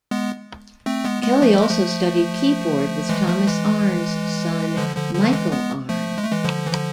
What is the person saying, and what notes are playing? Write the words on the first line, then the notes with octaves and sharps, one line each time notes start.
Kelly also studied keyboard with Thomas Arne's son, Michael Arne.
G#3 B3
A3 C4
G#3 B3
G#3 B3
F3 A3
G#3
F3 A3
E3 G#3
F3 A3
E3 G#3
D3 F3
D3 F3
D3 F3
E3 G#3
G#3 B3
F3 A3
G#3
A3
E3 G#3
D3 F3
E3
D3 F3